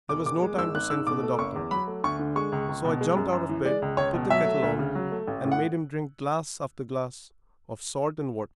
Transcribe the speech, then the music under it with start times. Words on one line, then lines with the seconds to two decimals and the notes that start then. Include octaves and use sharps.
There was no time to send for the doctor, so I jumped out of bed, put the kettle on, and made him drink glass after glass of salt and water.
0.09 E1 D6
0.26 E2 D6
0.42 G#3
0.58 G#1 E6
0.75 G#1 F#6
0.90 G#2 E6
1.07 B2 D6
1.23 A3
1.39 F#1 C#6
1.56 E2
1.71 F#3 B5
1.87 A3
2.04 D2 C#6
2.19 D3
2.36 G#3 C#6
2.52 C#2
2.69 C#2
2.85 B2
3.01 G#3
3.16 F#2
3.33 F#2
3.49 E3
3.65 G#3 D5
3.82 C#2
3.97 C#2 C#5
4.14 B2
4.30 F#3 E5
4.46 A3
4.62 D2
4.79 C#3
4.95 F#3
5.12 A3
5.28 A1
5.44 A2
5.52 F#5